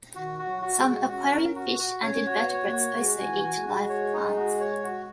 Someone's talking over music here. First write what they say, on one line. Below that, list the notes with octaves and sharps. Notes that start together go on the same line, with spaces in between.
Some aquarium fish and invertebrates also eat live plants.
D#3 F#4
F#4
F#3
F#4
G#3
F#4
C#4 F#4
A#4
F#4
F#4
C#4 C#5
F#4
B3
C#5
A#3
F#4
G#3 F#4
G#5
E3
F#4
G#3
F#4
C#5
D#4
F#4
C#5
F#4